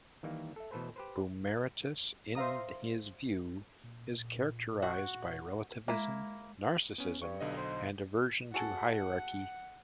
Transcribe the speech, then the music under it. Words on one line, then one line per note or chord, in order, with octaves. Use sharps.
Boomeritis, in his view, is characterized by relativism, narcissism, and aversion to hierarchy.
D#3 E3 G3 A#3
A4 E5
B2 E3 A3 A4 B4 C5
G4 B4 C5
C5 E5 F5 A#5 D#6
A#2
F#4
G#3 A#3 E4
B3 C#4
G2 C#6
B1 D3 D#5
C5
F#4 G#4 A4 F#5